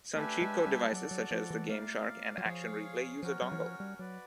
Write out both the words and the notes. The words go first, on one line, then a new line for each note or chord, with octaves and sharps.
Some cheat code devices, such as the GameShark and Action Replay use a dongle.
A3 D4 G4 B4 E5 G#5
G#3
G3
F#3 F#4 A4 D5
F#3
F3
E3
A3 F4 A#4 D5 F5
F#3
F3 F4 G#4 C#5 F5
F3 C#4 F#4 A#4 C#5
F#3
E3
F3
G3
F#3 F#4 B4 D5